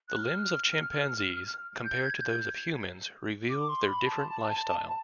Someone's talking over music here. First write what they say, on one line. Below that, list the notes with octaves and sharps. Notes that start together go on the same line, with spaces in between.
The limbs of chimpanzees, compared to those of humans, reveal their different lifestyle.
F#6
F6
G6
G#6
G6
D6
C6
B5
A5